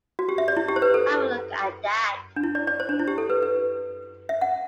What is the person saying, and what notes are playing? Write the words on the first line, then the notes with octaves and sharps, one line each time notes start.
Have a look at that.
F#4
G4
E5
D5
E4
G4
C5
B4
A4
D4
E4
D5
D5
C5
D4
E4
G4
A4
B4
B4
E5
F#5